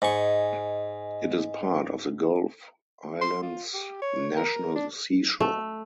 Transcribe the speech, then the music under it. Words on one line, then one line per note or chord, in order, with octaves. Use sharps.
It is part of the Gulf Islands National Seashore.
G#2 D#5 G#5 C#6
C6
F4
G4
C#5
A#4
D4
A3